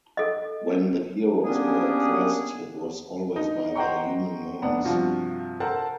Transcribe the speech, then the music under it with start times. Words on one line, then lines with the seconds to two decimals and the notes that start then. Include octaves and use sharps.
When the heroes were addressed it was always by their human names.
0.17 A4 D#5
1.44 G3 A#3 B3 C#4 D4 G#4
3.36 D#4
3.76 C5 D#5 F#5 G5 A#5 C#6
4.62 F1 B3 D4 F#5
4.84 G2 C3 F3 F4 F#4
5.60 A4 A#4 C5 F#5 A5